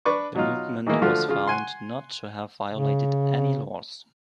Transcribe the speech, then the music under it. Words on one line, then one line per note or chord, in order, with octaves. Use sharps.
The movement was found not to have violated any laws.
D4 B4 C#6 D6
B2 F#3 D#4 F4
D#3 E3 G#3 A#3 D#4
D3 F3 A3 F4 F#4
C#3 F4
F#5 G#5 C6
C#3